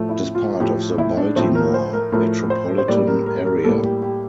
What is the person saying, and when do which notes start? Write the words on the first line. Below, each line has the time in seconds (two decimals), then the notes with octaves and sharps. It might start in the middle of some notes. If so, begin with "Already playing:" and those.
It is part of the Baltimore metropolitan area.
Already playing: A2 F3 A3
0.09 E4
0.35 F4
0.60 A2 F3 A3 G4
0.98 E4
1.17 D4
1.36 A2 F3 A3 C4
1.55 A#4
1.74 C5
1.93 A#4
2.12 A2 F3 A3 A#4
2.50 C5
2.78 C5
2.88 A2 G3 A#3 D5
3.07 A#4
3.26 A#4
3.45 A#4
3.64 A2 G3 A#3 A4
3.84 G4
4.02 G4